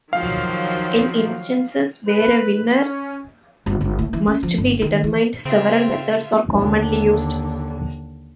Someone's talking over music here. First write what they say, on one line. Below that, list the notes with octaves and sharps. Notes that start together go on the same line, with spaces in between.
In instances where a winner must be determined, several methods are commonly used.
D#3 F3 F#3 F5
B4
C#4
G1
G1
A2
E3
C#4
F3
G1
D#3
E3
C#3 C4 F4 E5
D#2 D3